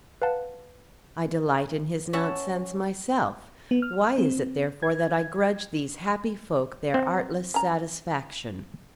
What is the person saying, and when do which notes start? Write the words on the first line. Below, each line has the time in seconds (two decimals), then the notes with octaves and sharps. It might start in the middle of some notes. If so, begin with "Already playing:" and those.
I delight in his nonsense myself; why is it therefore that I grudge these happy folk their artless satisfaction?
0.22 B4 F5 F#5 A5
2.13 C#4 E5 F#5 A5
3.71 B3
3.82 F6
4.18 C4
4.83 G#6
6.94 C4
7.54 C#4 A#5